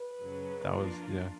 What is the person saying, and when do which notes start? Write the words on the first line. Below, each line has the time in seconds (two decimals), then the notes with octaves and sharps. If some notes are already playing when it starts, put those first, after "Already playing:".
That was yeah.
Already playing: B4
0.21 F#2 C#3 F#3
0.71 F3 A#3 D4 F4 A#4